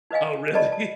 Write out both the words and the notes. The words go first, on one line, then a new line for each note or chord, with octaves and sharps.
Oh, really?
D#4 B4 D#5 F5 G#5
B4 D5 D#5 A5 B5
A5